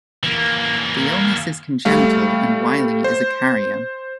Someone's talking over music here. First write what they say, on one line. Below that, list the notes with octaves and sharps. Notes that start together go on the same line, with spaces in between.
The illness is congenital and Whiley is a carrier.
E3 A#3
G3 A3 F5
C5